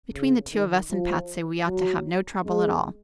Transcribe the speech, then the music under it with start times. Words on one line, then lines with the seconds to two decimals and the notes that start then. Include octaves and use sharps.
"Between the two of us and Patsy, we ought to have no trouble at all."
0.15 C#3
0.53 D#3
0.91 F3
1.67 F#3
2.45 G#3